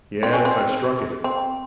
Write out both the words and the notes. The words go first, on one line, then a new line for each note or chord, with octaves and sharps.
Yes, I've struck it.
C4
C#4
C4
C4